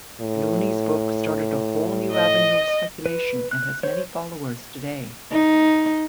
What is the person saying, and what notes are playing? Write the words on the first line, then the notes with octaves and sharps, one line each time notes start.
Looney's book started a whole new avenue of speculation and has many followers today.
A2
D#5
B4
F#6
C5 C#5
D#4